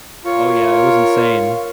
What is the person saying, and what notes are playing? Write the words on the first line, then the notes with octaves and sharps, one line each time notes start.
Oh yeah, it was insane.
F4 A#4 C#5